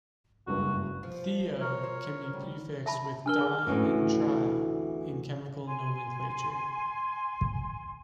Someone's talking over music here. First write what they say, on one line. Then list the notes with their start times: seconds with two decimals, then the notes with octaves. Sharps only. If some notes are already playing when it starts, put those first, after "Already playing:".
Thio- can be prefixed with di- and tri- in chemical nomenclature.
0.47 F#1 C#2 G2 F#4
1.03 F3
1.60 A#4 C#5
1.83 C5
2.33 D2 G3
2.86 E5 A5 B5
3.26 D4 A#4 G#5 F6 G7
3.41 G#4
3.67 D2 A2 C3 E3 C#4
5.66 G#5 C6